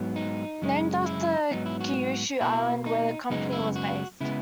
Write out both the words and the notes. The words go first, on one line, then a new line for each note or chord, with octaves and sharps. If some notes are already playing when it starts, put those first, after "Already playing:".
Named after Kyushu island where the company was based.
Already playing: G#2 F#3 B3
D#4
F#2 C#3 G#3
E4
G#2 F#3 B3 D#4
E4
F#4
B2 A#3 E4
D#4
F#2 C#3 G#3 B3 D#4
E4
F#4
C#3 G#3 B3 E4